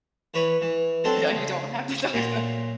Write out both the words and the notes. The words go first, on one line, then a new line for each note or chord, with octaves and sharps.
Yeah, you don't have this accent.
E3 B4 C#5 B5
E3
F#3 C4 D4 A4 C5
C#3
A#2 F#3 F4